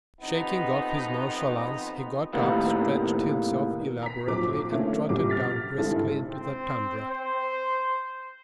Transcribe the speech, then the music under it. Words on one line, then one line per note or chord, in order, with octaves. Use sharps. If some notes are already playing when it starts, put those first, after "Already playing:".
Shaking off his nonchalance, he got up, stretched himself elaborately, and trotted down briskly into the tundra.
F2 C3 F3 B3 D#4
A2 C3 D#3 A#3 B3
A#5 B6
A#1 F2 F#3 C4 D6
D3 A3 A#3 C#4
A#1 C3 G3 F#4 D6
F6 A6 B6
G#1 G2 C3 G#3 E4 A4
C4
C5